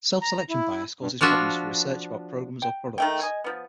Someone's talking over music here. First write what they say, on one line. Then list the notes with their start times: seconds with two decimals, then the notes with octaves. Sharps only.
Self-selection bias causes problems for research about programs or products.
0.22 A#5
0.49 E4
1.01 G2
1.21 F3 D4 F4 F#4 E5
2.62 G5
2.98 D#3 A3 G5
3.21 D#5 G#5
3.44 F3 B3